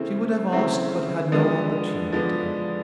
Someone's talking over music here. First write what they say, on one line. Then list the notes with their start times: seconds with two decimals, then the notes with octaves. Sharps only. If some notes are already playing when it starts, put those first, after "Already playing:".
She would have asked, but had no opportunity.
Already playing: C#3 E3 A3 C4 E4
0.52 C#3 E3 A3 C4 E4
1.32 D3 F3 G#3 B3 D4
2.12 D3 F3 G#3 B3 D4